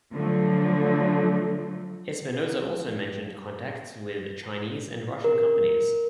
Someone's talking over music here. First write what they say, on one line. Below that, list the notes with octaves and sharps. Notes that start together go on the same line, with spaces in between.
Espinoza also mentioned contacts with Chinese and Russian companies.
D3 F3 F#3 A3
A#4